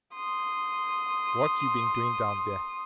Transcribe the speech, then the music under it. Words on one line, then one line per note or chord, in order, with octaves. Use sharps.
"What you been doing down there?"
C6 D#6